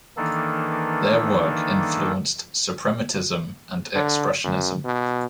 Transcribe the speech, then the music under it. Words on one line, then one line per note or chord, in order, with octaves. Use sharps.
Their work influenced suprematism and expressionism.
D#3 E3 A#3 D4 D#4 A4
D3
F#2
B2